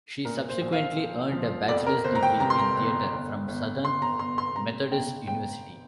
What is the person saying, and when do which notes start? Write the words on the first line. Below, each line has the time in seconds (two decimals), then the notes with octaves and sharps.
She subsequently earned a bachelor's degree in theater from Southern Methodist University.
0.25 A#2 A#4
0.49 C5
0.61 A#1
0.73 F5
0.96 F3
1.32 F3
1.68 F2 D5
1.86 A#4
2.04 G1 C5
2.15 A#5
2.23 G5
2.40 C3 A#5
2.50 C6
2.59 A#5
2.77 G1
3.12 G1
3.48 G1
3.85 G1 C6
4.02 A#5
4.19 G1 C6
4.38 C6
4.56 C3 A#5
4.91 G1 G5
5.27 G1 G5